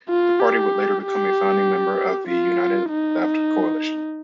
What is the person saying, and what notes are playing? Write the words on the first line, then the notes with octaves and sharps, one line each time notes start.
The party would later become a founding member of the United Left coalition.
F4
G4
G4
F4
D#4